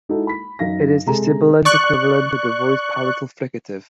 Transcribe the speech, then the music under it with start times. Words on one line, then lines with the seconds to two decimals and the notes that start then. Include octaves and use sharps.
It is the sibilant equivalent of the voiced palatal fricative.
0.09 G#3 D#4 E4 F#4 A4
0.27 B5 B6
0.59 F#2 D#4 F5 A#6
1.06 C3 G#3 A4 A#5
1.65 D5 C#6 F#6